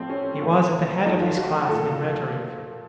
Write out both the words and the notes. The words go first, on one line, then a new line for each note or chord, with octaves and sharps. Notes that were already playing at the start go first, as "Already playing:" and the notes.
He was at the head of his class in rhetoric.
Already playing: A2 F3 A3 C4
C#4
A#2 A3
F#2 F3 A3 D#4
F4
F#4
A#2 F3 A3 A4